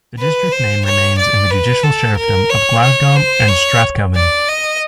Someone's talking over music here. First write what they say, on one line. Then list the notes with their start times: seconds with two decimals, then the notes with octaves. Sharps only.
The district name remains in the judicial Sheriffdom of 'Glasgow and Strathkelvin'.
0.19 B4
0.52 C5
0.86 C#5
1.19 D5
1.50 B4
1.83 A4
2.17 A#4
2.50 C#5
2.83 C#5
3.16 C5
3.48 C#5
4.15 D5
4.48 D#5